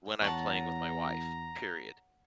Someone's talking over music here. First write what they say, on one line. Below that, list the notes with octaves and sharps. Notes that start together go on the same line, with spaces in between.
when I'm playing with my wife, period.
E2 C#5 F#5 A5 A#5